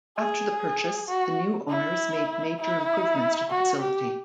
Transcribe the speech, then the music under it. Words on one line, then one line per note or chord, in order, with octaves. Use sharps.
After the purchase, the new owners made major improvements to the facility.
G#4
F#4
E4
E4
F#4
G4